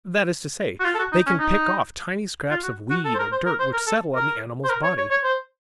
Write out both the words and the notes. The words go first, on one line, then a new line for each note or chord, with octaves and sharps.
That is to say, they can pick off tiny scraps of weed or dirt which settle on the animal's body.
F#4
F4
A4
F#4
D#4
C#4
D#4
F4
F#4
F#4
A4
C5
A#4
C5
A#4
C5
A#4
A4
A#4
C5
A#4
C#5
C#5
C#5
C5